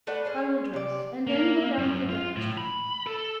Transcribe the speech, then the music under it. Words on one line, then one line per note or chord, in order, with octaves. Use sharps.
I will dress, and then go down to the breakfast-room.
A3 D4 B4 F#5
C#4 G#4 C5
C3 D5
A#3
F#2
F4
A2
B5
A4